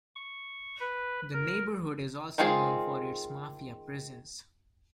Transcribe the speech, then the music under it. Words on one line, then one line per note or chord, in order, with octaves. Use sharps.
The neighborhood is also known for its mafia presence.
C#6
B4
A#4
D#3 G#3 C4 F4 G#4